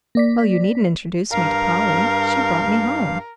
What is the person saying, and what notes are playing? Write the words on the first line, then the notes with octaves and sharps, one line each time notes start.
"Oh, you needn't introduce me to Polly--she brought me home!"
A#3 D5 B6
G2 A#4 F5